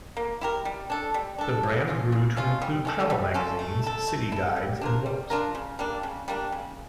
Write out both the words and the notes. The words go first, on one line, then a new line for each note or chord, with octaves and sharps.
The brand grew to include travel magazines, city guides, and books.
A#3
E4 G4 A#4
G3
D4 A4
G3
D4 A4
C#3
F3 C#4 F4
C#3
F3 C#4 F4
G3
C#4 F4 A4
G3
C#4 F4 A4
A3
E4 A4
A3
E4 A4
G3
D4 F4 A#4
G3
D4 F4 A#4
C#3
G3 A#3 D4
C#3
G3 A#3 D4
C#3